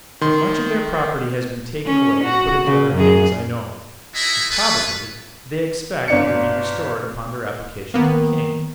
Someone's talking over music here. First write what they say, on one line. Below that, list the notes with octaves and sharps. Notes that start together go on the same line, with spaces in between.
That much of their property has been taken away and put into other hands, I know; and probably they expect it will be restored upon their application to the king.
D#3 C6
C#4
F#4
C#3
F#2 G#4
D#4 E4 F#4 G#4 D#5 E5
A3 B3 F4 G#4 A4 B4
G1 D4 C#7
D#3 A#3 B3